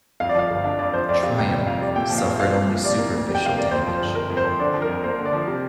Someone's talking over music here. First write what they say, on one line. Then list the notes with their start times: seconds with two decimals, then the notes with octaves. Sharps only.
"Triumph" suffered only superficial damage.
0.20 F2 F5
0.29 D5
0.35 F3 F5
0.50 G1
0.64 D4 F5
0.79 F2 D5
0.94 F3 C5
1.09 F2 D5
1.23 C3 F5
1.38 F1 G5
1.52 F1 G5
1.67 F2 F5
1.81 C3 D5
1.96 A#2 G5
2.10 F3
2.18 F5
2.26 A#1
2.40 C4 F5
2.55 A#2
2.69 F3
2.84 C3 D5
2.98 A#3
3.13 D2
3.28 G4
3.35 G5
3.42 C3 F5
3.57 A#3 D5
3.71 F2 C5
3.87 F3
3.94 C5
4.01 G1
4.15 G1 A#4
4.30 F2
4.37 C5
4.45 F3
4.59 D3 D5
4.74 F3
4.82 A#4
4.89 F2
5.04 A#3 C5
5.19 D3
5.26 D5
5.33 F3
5.47 C3